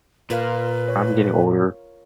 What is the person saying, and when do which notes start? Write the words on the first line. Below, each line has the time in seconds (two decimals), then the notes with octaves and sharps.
I'm getting older,
0.30 A#2 F4 A#4 B4 F5
0.88 C#5